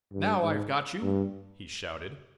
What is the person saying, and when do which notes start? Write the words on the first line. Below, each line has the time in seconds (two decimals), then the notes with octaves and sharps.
"Now I've got you!" he shouted.
0.13 G2
0.42 G#2
1.02 G2